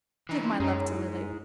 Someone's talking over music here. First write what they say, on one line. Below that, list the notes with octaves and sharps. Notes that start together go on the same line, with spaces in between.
Give my love to Lily.
E3 D#4
C#4 C6
F#2 G#3 D#4 C#5 A#5
E4